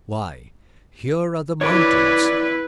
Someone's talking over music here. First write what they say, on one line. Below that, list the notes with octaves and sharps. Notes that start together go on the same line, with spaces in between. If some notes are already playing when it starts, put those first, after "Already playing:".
Why, here are the mountains!
E4 B4 C#5 D5 D6